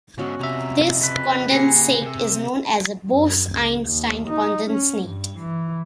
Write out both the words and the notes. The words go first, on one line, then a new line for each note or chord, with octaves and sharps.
This condensate is known as a Bose-Einstein condensate.
G#2 D3 B3 C#4 F#4
F2 C3 E5 A#5
C#3 B4
A#2 G4 G#4 G#5 A#6 C7 C#7
C3 E5
F#2
C#2
D#2
D#4
C#4
G2
E3